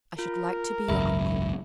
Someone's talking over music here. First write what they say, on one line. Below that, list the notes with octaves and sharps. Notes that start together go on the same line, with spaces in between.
I should like to be your uncle.'
F4 A#4
G#1 C#2 F#2 E5 B5